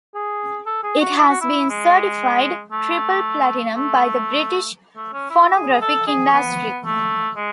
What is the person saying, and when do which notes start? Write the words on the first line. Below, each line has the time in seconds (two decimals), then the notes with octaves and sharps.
It has been certified triple platinum by the British Phonographic Industry.
0.15 G#4
0.66 A4
0.83 G#4
1.00 F#4
1.18 E4
1.29 F#4
1.41 E4
1.69 G#3
2.72 A3
3.75 A3
4.96 A3
5.13 C#4
5.30 E4
5.56 G#4
5.82 A4
6.07 G#4
6.33 B3
6.84 A3
7.37 G#3